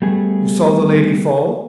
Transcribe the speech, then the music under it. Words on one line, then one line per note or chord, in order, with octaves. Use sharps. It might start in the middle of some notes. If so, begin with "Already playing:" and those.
"You saw the lady fall?"
G3 A3 B3 G#4